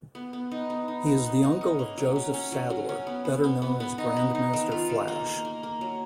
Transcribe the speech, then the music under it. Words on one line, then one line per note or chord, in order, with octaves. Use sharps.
He is the Uncle of Joseph Saddler, better known as Grandmaster Flash.
B3
B3
D#4
B3
D#4
D#4
B3
D#4
C#4
A#3
F#3
C#4
C#4
F#3
F#3
C#4
B3
B3
B3
B3
B3
D#4
B3
D#4
D#3
F4
D#3
A#3
A#3
A#3
A#3
F#3